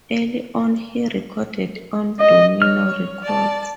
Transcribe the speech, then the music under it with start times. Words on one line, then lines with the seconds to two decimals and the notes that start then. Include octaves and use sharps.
Early on he recorded on Domino Records.
2.20 D#5
2.62 C#5 F6
3.22 D5 A5